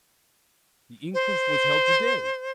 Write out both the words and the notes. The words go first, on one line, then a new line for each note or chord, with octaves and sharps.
The inquest was held to-day.
C5